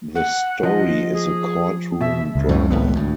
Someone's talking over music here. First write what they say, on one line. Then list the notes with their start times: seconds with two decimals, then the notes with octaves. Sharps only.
The story is a courtroom drama.
0.15 F#5
0.63 F3 D#5
1.13 G#4
2.01 B2 E5
2.36 C#2
2.49 F#2 A2 E3
2.70 G#1 A2 B3
2.95 D2 A2